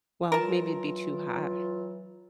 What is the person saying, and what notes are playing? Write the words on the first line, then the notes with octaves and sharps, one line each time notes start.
well, maybe it'd be too hot,
E3 F#3 F4 A#4 A5